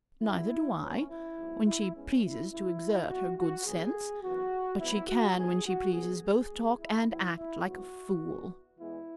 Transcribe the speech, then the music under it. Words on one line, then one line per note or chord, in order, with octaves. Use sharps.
'Neither do I--when she pleases to exert her good sense--but she can, when she pleases, both talk and act like a fool.'
E2 B2 G#3 B3 E4
B2 F#3 B3 C#4
E4
G#2 F#3 B3
E4
G#2 G#3 B3 C#4
E4
F#2 C#3 G#3 E4
G#2 F#3 B3 F#4
F#4
B2 F#3 B3 G#4
F#2 E3 B3 F#4
G#2 F#3 B3 E4
F#4
G#2 F#3 B3 G#4
F#4
B2 F#3 B3 G#4
G#4
G#2 G#3 B3
E4
B2 F#3 B3 E4
E4
G#2 F#3 B3 F#4
E2 B2 B3
E2 E3 G#3 B3 E4